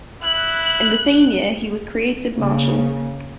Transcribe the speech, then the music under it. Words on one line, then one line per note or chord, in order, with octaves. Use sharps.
In the same year he was created marshal.
E4 F#6
C#3 A#3